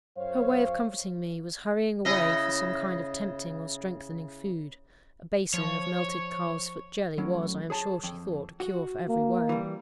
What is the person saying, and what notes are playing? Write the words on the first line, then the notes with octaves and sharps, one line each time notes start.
Her way of comforting me was hurrying away for some kind of tempting or strengthening food--a basin of melted calves-foot jelly was, I am sure she thought, a cure for every woe.
F#2 C5 C#5 F5
C#3 E4 D#5
F3 C#5
A2 F#3 C#4
G#4 C#5 A5
F2
F#4
A#3
E3 G3